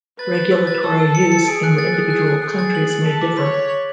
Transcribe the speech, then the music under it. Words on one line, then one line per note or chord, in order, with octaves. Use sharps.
Regulatory use in individual countries may differ.
B4 A6
A6
E6
A6
A4 E6
E6
C#7
C#7
G#4 D7
F#6
A6
F#6
G#4 F#6
F#6
G#4 F#6
A6
F#7
F#7
A4 B6
D6
C#5 B6
B6
F#7